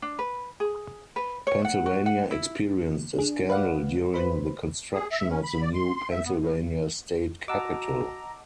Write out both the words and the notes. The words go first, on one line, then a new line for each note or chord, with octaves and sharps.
Pennsylvania experienced a scandal during the construction of the new Pennsylvania State Capitol.
D4
B4
G#4
B4
C#5
F#5
F#4
F#5
E4
D4 G#4
B4 D5 F5 F#5
B4 C5 B5
G#4
E5
C#4
B5
D5
C6
C6
E5
B3
A2
F#4 D#5 F#5 A5 A#5 D6 E6